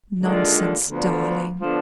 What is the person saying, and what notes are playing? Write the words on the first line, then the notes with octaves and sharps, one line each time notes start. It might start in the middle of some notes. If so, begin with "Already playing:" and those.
'Nonsense, darling!
D#2 D3 G#3 D4 F4
D2 D3 F3 B3 D4
D3 F3 B3 D4